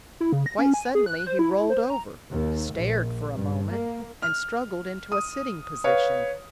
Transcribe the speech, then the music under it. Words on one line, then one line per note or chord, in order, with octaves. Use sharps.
Quite suddenly he rolled over, stared for a moment, and struggled into a sitting position.
E4
C#3
A#6
C#4
G#5
G#4
F#6
C5
E4
E4
C5
A#5
D#2
A#1
G2
A#3
F6
D#6
B4 C#5 F5